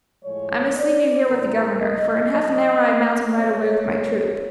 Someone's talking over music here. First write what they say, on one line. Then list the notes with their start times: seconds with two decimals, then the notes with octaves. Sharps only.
I must leave you here with the governor, for in half an hour I mount and ride away with my troop.
0.23 A2 F3 G#3 C#5
0.75 D5
1.28 A2 E3 G3 A#4
1.80 D#5
2.32 B2 F#3 D#5
3.36 B2 G3 C#5